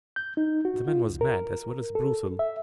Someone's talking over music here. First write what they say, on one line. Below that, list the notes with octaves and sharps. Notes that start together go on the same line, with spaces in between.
"The man was mad as well as brutal."
G6
D#4
F#4
F4
C#2
A#4
A4
E5